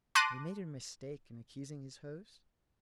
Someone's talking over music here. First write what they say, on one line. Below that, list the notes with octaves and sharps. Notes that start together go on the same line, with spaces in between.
Had he made a mistake in accusing his host?
A5 C6 D6 F#6 A#6 D#7